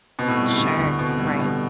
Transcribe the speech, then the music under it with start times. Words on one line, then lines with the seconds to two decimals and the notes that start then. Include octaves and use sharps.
Sure, right.
0.19 B2 C4
0.28 A2
0.38 G3
0.48 A2
0.58 A2 D3
0.78 D2
0.98 B2 C4
1.18 A2 G3
1.39 B2 D3